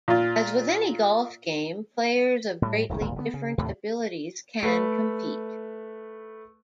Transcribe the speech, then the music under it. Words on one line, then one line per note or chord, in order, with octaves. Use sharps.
As with any golf game, players of greatly different abilities can compete.
A#2 F4
A2 G3
F1 C#2 D#3
D#1 G#1 D2 A#2
D3 G#3 B3
C#3
D#2 A2 C3 A3
A3 B4